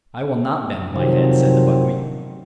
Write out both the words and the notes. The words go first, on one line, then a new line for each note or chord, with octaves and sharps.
"I will not bend my head," said the buckwheat.
C3 D#3 F3 F#3 C4